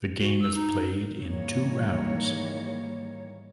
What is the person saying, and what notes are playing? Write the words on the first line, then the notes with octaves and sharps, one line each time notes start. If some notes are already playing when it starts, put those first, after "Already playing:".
The game is played in two rounds.
F#4
E6
D#4
G#2 D#3 E3 G3 A#3 C#5